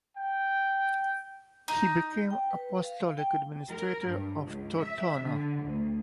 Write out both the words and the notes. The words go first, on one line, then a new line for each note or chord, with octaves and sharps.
He became apostolic administrator of Tortona.
G5
D#4
G5
B4
F5
G5
A#4
G2
C#2
E5
D3
D2